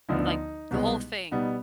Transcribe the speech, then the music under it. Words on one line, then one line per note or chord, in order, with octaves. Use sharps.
like, the whole thing,
D2 D3 F3 B3 D#4
D4
D#4
C2 B2 G#3 B3
B2 G3 B3 D#4